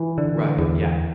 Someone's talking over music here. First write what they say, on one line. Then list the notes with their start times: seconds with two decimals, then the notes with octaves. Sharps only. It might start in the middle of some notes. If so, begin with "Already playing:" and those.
Right, yeah.
Already playing: E3
0.18 D3
0.59 E2